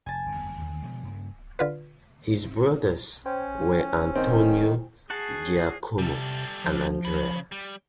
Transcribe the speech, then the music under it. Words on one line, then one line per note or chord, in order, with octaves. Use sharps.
His brothers were Antonio, Giacomo and Andrea.
F1 G#5 A5
G1 F#2
D#2
B2 F3 G#3
G2 C#3 A#3
D3 F4 B4
C#4 C5 G5 G#5
D#3 C4
F#4 G#4 F#5 A5 C7
C3 G3 A4
F3
C#3 B5
G3